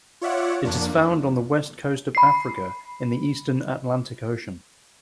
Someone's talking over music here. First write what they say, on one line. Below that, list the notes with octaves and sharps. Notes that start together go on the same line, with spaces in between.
It is found on the west coast of Africa in the eastern Atlantic Ocean.
F4 C#5 D5 E5 F#5
F2 A#3 D4
B5 C7